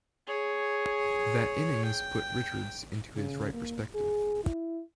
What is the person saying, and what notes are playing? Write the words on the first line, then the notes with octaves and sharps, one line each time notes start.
That innings put Richards into his right perspective.
G#4 C#5
G5
C#3
A#3
G#4
E4